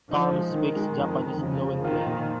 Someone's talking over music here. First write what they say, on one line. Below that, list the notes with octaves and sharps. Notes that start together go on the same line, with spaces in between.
Tom speaks Japanese fluently.
F3 D#4
G#3
D#3 D#4
G#3
F2
F2
C#3 F3
F3
D#3 F4
A#2